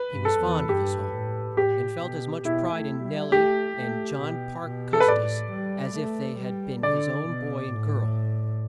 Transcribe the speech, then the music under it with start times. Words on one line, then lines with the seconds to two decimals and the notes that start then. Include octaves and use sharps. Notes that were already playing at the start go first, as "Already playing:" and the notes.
He was fond of his home, and felt as much pride in Nel-lie and John Parke Cus-tis as if they had been his own boy and girl.
Already playing: B4
0.11 G2
0.25 A4
0.40 E2
0.69 G2 G4
1.13 A2
1.57 A2 G4
2.01 B2
2.45 B2 E4
2.74 A3
3.03 G3
3.32 A3 G4
3.77 A3
4.20 B2
4.64 B2
4.93 A4
5.00 B4
5.08 A2 D5
5.52 G3
5.95 A3
6.39 G3
6.83 D3 D5
7.27 B2
7.71 A2